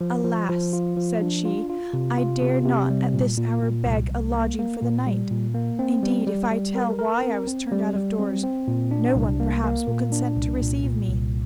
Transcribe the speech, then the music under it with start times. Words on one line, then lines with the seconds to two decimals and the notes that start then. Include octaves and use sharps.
"Alas," said she, "I dare not at this hour beg a lodging for the night. Indeed, if I tell why I was turned out of doors, no one perhaps will consent to receive me."
0.01 F3
0.24 F3
0.49 F3
0.73 F4
0.97 F3
1.22 D4
1.45 F4
1.70 F4
1.93 C3
2.17 F4
2.42 C3
2.65 C3
2.90 G3
3.14 A#2
3.38 A#2
3.62 A#2
3.86 C2
4.10 C2
4.35 A#3
4.59 A#3
4.82 A#2
5.07 G3
5.31 A#2
5.54 A#3
5.79 C4
6.03 G3
6.27 G3
6.51 G3
6.75 A#4
6.99 A#4
7.23 C4
7.47 C4
7.72 G3
7.96 G3
8.19 C4
8.44 C4
8.68 A#2
8.91 D4
9.16 C2
9.40 A#3
9.64 A#3
9.87 A#2
10.12 D4
10.36 C2
10.60 A#2
10.84 A#2
11.08 C2